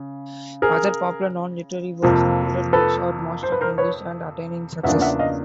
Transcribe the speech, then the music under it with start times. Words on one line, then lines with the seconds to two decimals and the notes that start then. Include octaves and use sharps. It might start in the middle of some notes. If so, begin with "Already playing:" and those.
Other popular non-literary works included books on mastering English and attaining success.
Already playing: C#3
0.62 G#4 A#4
2.02 F2 C3 F3 A#3
2.73 A4 B4
3.43 C5
3.52 B4
3.61 A#4 C5
3.78 B4 C#5
4.83 E2 C#3 F3 A#3 D4 E5 F#5
5.01 E5 F#5
5.19 D#5 F5